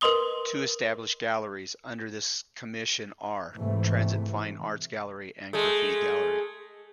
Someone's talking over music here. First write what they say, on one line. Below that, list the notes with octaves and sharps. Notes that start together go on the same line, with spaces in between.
Two established galleries under this commission are: Transit Fine Arts Gallery and Graffiti Gallery.
A#4 B4 D#5 C6 D#6 G7
G#2 C3 E3 A3
G#3 A3